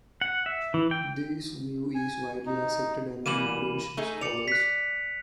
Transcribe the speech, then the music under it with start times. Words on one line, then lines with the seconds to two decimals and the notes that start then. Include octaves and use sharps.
This view is widely accepted among modern scholars.
0.21 F#5
0.46 E5
0.74 E3
0.91 G5
1.95 G#5
2.46 D#4
3.26 E3 G3 A#3 D#7 E7 F#7
3.97 A3 D#4 G#4
4.21 D5 C#7 F7
4.48 F#6 B6